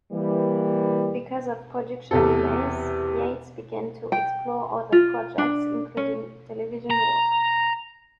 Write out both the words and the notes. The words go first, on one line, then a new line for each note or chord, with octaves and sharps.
Because of production delays, Yates began to explore other projects including television work.
E3 G3 A#3
E2 C3 A4
G5
F4
D4
C#4
A#5